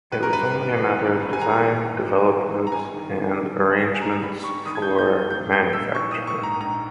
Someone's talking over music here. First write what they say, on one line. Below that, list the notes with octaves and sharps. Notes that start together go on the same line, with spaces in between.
It was only a matter of design, development, and arrangements for manufacture.
G#1 B4
A#4
G2 B4
G#1
E3
G#1
G2
G#5
G#1 A#5
E3
G#1
G2
G#1
E3
A#5
G2 G#5
D#3
G2
G3
G2
D#3
G#5
G2 A#5
G3 B5
G2 C#6
D#3 D#6
G#6
G6
G2
G6
G3
A#3 G6
G#2 G6
A#1 E6
E3 C#6
D#6
A#3
C#6
G#2 A#5
A#1 A#5